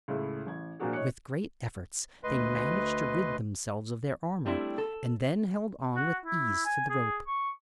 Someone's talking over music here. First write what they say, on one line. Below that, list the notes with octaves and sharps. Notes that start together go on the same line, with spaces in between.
With great efforts they managed to rid themselves of their armour, and then held on with ease to the rope.
C#2 A2 E4
A1 G#6
A#2 F3 A#3 D4 F#4 G#4
A2 C#5 D#5 F#6 C#7
D2 B4 D#5 C6
G3 A3 C4 D4 E4
A4
F#4
E4
G#5
G#4
C#6